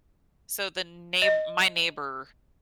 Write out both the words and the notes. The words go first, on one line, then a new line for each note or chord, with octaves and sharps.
so, the neigh my neighbor
D#5